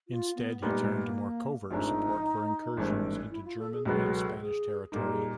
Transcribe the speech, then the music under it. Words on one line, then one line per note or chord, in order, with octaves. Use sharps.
Instead, he turned to more covert support for incursions into German and Spanish territory.
F4
B3
A#2 G3 A3 B3 D#4
G#3
A3
A#3
G#1 G#2 F3 A3 D4 D#4
G#1 G2 E3 A3 C4
E4
F4
A4
G#4
C#2 B2 F#3 B3
A4
G#4
A4
G#4
A#2 G3 A#3 D#4 A4
G#4